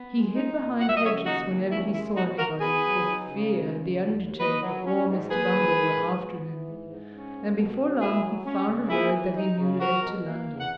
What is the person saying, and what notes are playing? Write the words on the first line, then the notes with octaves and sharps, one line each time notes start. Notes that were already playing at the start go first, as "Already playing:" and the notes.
He hid behind hedges whenever he saw anybody, for fear the undertaker or Mr. Bumble were after him, and before long he found a road that he knew led to London.
Already playing: B3
G#3
D#4
A#2
F#3 F#5
E5
D#5
C#3 C#5 E5
D#2 D#4 F#4
D#2
C#4 E4
G#3 E4
B2 D#4 F#4
B2 F#4 A#4
B3 G#4 B4
F#3
D#4
C#3
G#3
C#3
D#2
D#2
A#3 B4 D#5
F#3
C#4
G#2
A#3 G#4 B4
D#3
G#2
G#2
B3
E3
G#2
G#2
C#4
A#3
B2
B2
A#3 E4 G#4
F#3
C#4
C#3
A#3 E4 G#4
E3
D#4
C#3
F#3 F#4 A#4
B2
A#3
E2
F#5